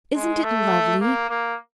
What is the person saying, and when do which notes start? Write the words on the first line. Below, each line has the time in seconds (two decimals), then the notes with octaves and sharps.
Isn't it lovely?
0.15 G#3
0.43 A3
1.01 A#3
1.30 A#3